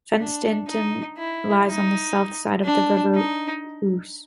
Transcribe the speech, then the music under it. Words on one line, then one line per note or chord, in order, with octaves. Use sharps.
Fenstanton lies on the south side of the River Ouse.
D4
D#4
E4
D#4
D4
D#4